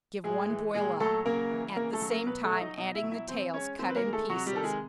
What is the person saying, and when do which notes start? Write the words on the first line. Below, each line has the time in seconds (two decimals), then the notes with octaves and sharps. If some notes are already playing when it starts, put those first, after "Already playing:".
Give one boil up, at the same time adding the tails cut in pieces.
0.24 A2 G#3 G#4
0.49 E3
0.74 A#2 G#3 G#4
1.00 F#3 A3 A4
1.26 C#3 A#3 A#4
1.51 E3
1.76 C#3 A#3 A#4
1.93 A3 A4
2.01 F#3
2.10 A#3 A#4
2.27 B2 B3 B4
2.44 A3 A4
2.52 F#3 E5
2.61 D#4 D#5
2.78 B2 D#4 D#5
2.94 E4 E5
3.03 F#3
3.11 E4 E5
3.28 E3 C4 C5
3.54 G#3 C#4 C#5
3.79 D#3 C4 C5
3.90 B4
3.96 A#3 A#4
4.04 G#3
4.13 A3 A4
4.30 C3 F#3 F#4
4.47 G3 G4
4.55 D#3 A4
4.63 G#3 G#4